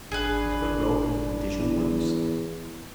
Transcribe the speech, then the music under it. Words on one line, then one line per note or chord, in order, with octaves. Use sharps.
I have never broken the condition once.
G#1 D4 G#4 B4
E2